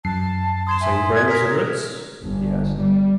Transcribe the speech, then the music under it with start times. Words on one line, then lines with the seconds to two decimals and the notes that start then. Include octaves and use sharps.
"The same brand of cigarettes?" he asked.
0.05 F#2 A5 C7
0.67 C6 D#6 G#6 E7
0.82 E5 G#5 C6 D#6
1.15 G#6
1.28 A#4 B6
2.24 G1
2.80 G3